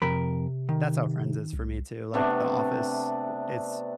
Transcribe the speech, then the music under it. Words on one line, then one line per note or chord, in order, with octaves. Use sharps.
That's how Friends is for me too like, The Office is
F2 C3 A#4 B5
D#3
C2
C3 A3 B3 D4